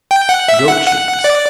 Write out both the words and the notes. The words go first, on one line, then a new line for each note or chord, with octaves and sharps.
Goat cheese.
G5
F#5
E5
F#5
F#5
D5